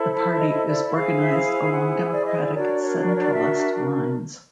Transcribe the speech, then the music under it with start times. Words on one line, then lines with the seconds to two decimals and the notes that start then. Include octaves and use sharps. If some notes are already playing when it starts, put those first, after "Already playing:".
The party is organised along democratic centralist lines.
Already playing: E4 A4 C5
0.13 E5
0.39 D#5
0.67 D5
0.94 E4 G#4 C5 F5
1.21 E5
1.34 F5
1.73 F#5
2.13 D5
2.26 D#5
2.40 D5
2.53 D4 F#4 A#4 C#5 D5
2.81 C#5
3.07 D5
3.16 C#5
3.23 D5
3.34 E5